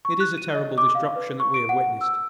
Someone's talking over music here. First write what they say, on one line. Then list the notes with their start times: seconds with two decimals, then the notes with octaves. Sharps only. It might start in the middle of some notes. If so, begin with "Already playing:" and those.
It is a terrible destruction that we have witnessed.
0.05 C#6
0.20 F#6
0.38 D#7
0.55 D#5
0.78 D6
0.95 F5
1.16 B4
1.40 C#6
1.54 D7
1.69 F#5
2.01 E6